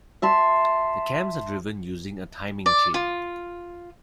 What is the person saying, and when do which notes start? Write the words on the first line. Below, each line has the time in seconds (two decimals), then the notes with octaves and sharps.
The cams are driven using a timing chain.
0.22 E5 A5 C6
2.66 D5
2.94 F4